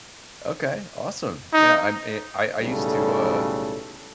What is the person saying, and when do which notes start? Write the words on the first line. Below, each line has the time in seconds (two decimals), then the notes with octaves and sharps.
Okay, awesome, yeah, I'm i I I used to, uh
1.53 D#4
2.61 B1 A2 C#3 G3 A4